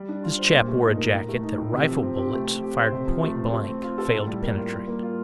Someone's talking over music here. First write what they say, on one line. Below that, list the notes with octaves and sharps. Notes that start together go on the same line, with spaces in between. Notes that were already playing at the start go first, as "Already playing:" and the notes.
This chap wore a jacket that rifle bullets, fired point-blank, failed to penetrate.
Already playing: G3
D4
F4
C5
A#2
A3
D#4
A#4
A2
A3
D#4
A2
C3
F3
C4
G4
A3
C4
G4
C5
C3
F3
A3
C4
A3
C4
F4
A4
A2
G3
A#3
F4
G3
A#3
F4